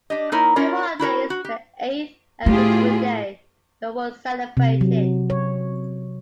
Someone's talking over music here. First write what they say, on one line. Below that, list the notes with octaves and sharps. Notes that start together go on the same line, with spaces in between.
Two holidays, the Eighth and Victory Day, were once celebrated.
D4 G4 D#5
A#3 D#4 E4 A#4 C#5
C#4 E4 F4 A#4 C#5 D5
E4 F#4 A#4 C#5
F#4
G4
A2 A3 F4 G4 G#4
C3
F#3
C#5